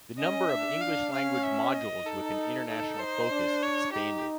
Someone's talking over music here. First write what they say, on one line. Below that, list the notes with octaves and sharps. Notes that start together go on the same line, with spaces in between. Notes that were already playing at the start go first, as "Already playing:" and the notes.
The number of English-language modules with an international focus expanded.
C#4 D#5
D4 E5
F5
C#4 F5
E5
D#5
D#4 A4
D#4 A4
D#4 C5
D4
C#5
D#4 G4